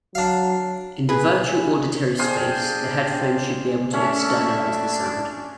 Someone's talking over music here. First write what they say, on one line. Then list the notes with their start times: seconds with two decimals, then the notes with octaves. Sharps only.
In the virtual auditory space, the headphones should be able to "externalize" the sound.
0.15 F#3 D4 F5
1.09 G#4 B4
2.19 D4 G4 G#4 C5 F5 G5
3.93 A3 C#4 D4 E5